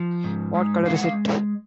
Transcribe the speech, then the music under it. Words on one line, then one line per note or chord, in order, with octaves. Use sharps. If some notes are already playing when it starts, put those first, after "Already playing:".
What color is it?
Already playing: F3
G#2
G#3
G#3 F5
F#5
F5